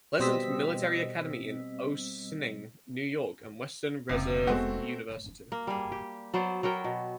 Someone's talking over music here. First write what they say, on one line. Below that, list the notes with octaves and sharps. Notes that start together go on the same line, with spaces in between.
Pleasant Military Academy in Ossining, New York and Western Reserve University.
B2 G3 C4 D#5 E6 B6
F1 C#2 C3 A#3
G#3 A3 B3 C4 F#4
A#3
G3 G#4
G4
F#3 B3 C5 D5
F#3 B3 A#4 G5
B2